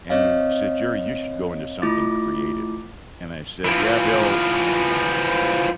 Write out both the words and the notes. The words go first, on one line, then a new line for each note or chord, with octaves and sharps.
and he said, "Jerry, you should go into something creative," and I said, "Yeah, Bill,
C4 C#5 D#5 F5
A3 E4 F4 D6 A6
E3 F3